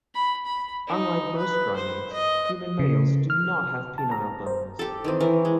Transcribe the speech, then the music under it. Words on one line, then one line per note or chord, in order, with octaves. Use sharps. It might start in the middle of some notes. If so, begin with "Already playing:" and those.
Unlike most primates, human males do not have penile bones.
B5
B5
D#4
B4
C5
D#5
C#3
F6
A5
A#5
C5
G4 A4
D#3 E3 C4
E3 A#4
G#3